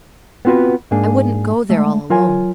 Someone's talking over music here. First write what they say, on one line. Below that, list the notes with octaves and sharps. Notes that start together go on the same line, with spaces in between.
"I wouldn't go there all alone."
B3 C4 F4 F#4 B4
G#2 A#3 D4 G#4
G#3 A3
F#3 F4 A#4 C#5 G#5